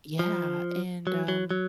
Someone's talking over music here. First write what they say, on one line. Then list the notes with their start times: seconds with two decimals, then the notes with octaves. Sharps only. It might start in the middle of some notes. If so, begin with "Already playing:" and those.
yeah, and, um,
0.19 F3
1.07 F#3
1.28 F#3
1.51 F#3